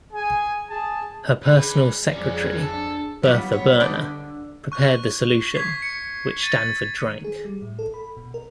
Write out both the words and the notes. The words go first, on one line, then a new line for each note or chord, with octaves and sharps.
Her personal secretary, Bertha Berner, prepared the solution, which Stanford drank.
G#4 G#5
G#4 A5
G3 G#3 B4
F2 D#3 G#3 C#4 D5
D4 A4
F#3 G3 B3 F4
B3 C#5
B2 D4 D#4 B4 G5
D3
C#6 F#6
C#6 G#6 B6 C7
C#7
A6 D#7
D#3
G#4
G3
A2
A4
B5
B2
A#4